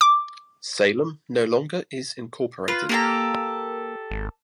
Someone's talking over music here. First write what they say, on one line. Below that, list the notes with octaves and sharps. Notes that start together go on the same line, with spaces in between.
Salem no longer is incorporated.
D6
F4 B4
A#3 G4 A4 A#5
G#1